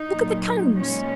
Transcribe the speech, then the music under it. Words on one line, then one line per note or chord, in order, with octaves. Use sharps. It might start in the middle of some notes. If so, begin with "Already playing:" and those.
Look at the Cones!
Already playing: D#4
A#2 F#3
A#2 G#3 C#4